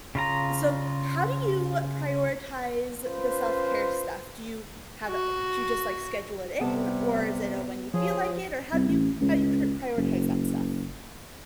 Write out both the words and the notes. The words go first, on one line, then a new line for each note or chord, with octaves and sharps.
So, how do you prioritize the self-care stuff? Do you have a do you just, like, schedule it in? Or is it a when you feel like it? Or how do you how do you pr prioritize that stuff?
C#3 F4 A#5
C#4 F4 B4 C5
F#4
C3 G3 B3
F3 G#4 C#5
C2
A1
C#2
F#1